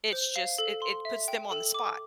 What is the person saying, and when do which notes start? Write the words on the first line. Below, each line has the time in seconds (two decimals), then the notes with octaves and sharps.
it's just it it puts them on the spot.
0.12 C5
0.36 F5
0.58 A4
0.82 C6
1.05 E5
1.28 G5
1.51 A4
1.74 D6